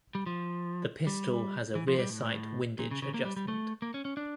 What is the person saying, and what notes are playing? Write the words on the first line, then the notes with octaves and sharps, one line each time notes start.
The pistol has a rear sight windage adjustment.
G3
F3
G3
E3
F3
G3
A2
A#2
C#3
C#3
A#3
G3
G3
A3
A#3
C#4
C#4
D4